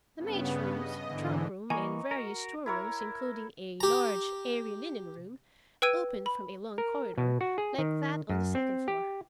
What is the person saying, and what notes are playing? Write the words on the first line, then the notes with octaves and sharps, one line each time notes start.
The maids' rooms, trunk-room, and various store-rooms, including a large airy linen-room, opened from a long corridor, like that on the second floor.
G2 C#3 B3
D#5
G#2 D3 E3
E3 A#3 D#5 G#5 A#5 C#6
F#4 A#4
E4 A#4 C#5
G4 A#5
B4 G5 E6 G#6 D#7
B5
A#4
B2
F#4
G#4
D#3
F#2
C4
G4